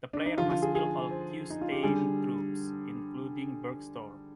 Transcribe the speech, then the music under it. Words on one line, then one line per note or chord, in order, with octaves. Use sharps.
The player must kill all Q-Stein troops, including Bergstrom.
D4
D#4
D3 F3 F4
F4
G#4
G#4
C5
D#4
F4
G4
D3 G3 G#4